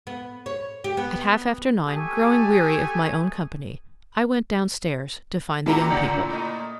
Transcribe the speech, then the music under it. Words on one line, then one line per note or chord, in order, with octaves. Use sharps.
At half after nine, growing weary of my own company, I went downstairs to find the young people.
B3
C#5
G4
B3
A3 G4 A4 G#5 C#6 D#6
A#2 E4 F#4 G4 A4 A#5
C#3
A3 D#5